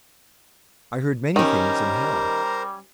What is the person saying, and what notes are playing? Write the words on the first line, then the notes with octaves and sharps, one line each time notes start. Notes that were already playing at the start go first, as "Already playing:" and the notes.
I heard many things in hell.
D#3 G3 C#4 G4 A#4 C5 A#5